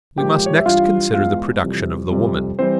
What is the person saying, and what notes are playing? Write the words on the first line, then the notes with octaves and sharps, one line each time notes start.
We must next consider the production of the woman.
A#2 F3 G#3 G4 G5
C#5
E5
G2 E3 G3 F4 F5
E2 E3 G#3 F4 F5
F2 C3 E3 G3
F2 C3 G3
E3 G3 C4 C5